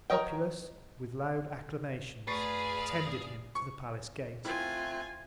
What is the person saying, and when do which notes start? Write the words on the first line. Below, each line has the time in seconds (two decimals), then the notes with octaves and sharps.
The Populace with loud Acclamations attended him to the Palace-Gate.
0.10 A#4 B4 C#5 D#5 G5
2.28 F#2 A3 G#4 B4 D5 F5 C#6
3.55 C#6
4.45 A3 C4 E4 F4 G#5 F#6